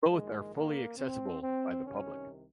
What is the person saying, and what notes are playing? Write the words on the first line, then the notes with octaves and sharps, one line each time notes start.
Both are fully accessible by the public.
A#1 G#2 D#3 G#3
A#3
C4
C4
C2 C3 D#3 C#4